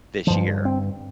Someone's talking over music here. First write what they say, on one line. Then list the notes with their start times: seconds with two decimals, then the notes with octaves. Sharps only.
this year,
0.27 G2 D3 F3
0.65 C4